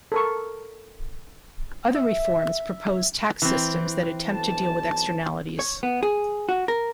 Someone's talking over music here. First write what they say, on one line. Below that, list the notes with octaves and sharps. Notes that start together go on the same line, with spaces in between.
Other reforms propose tax systems that attempt to deal with externalities.
A4 A#4 C#6
E5
E3 C4
B1 A5
C#5
B3
G#4
F#4
A#4